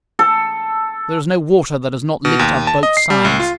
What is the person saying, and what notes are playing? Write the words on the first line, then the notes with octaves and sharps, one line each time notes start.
There is no water that has not licked our boats' sides.
A4
B2
D#2
A5
D#5
C7
G3
C#2
F4